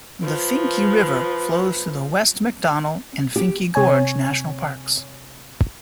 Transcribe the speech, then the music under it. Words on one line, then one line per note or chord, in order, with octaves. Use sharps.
The Finke River flows through the West MacDonnell and Finke Gorge National Parks.
F3 B4
G4
C3 C#5 G#5